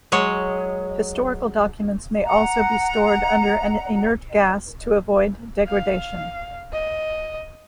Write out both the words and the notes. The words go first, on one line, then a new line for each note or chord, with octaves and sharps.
Historical documents may also be stored under an inert gas to avoid degradation.
F#3 G#3 C#5
F#5 A#5
F5
D#5